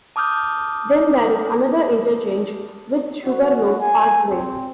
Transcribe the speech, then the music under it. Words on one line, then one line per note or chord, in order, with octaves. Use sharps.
Then there is another interchange with Sugarloaf Parkway.
A5 D6 D#6 F6 G6
F#4
G#5
C4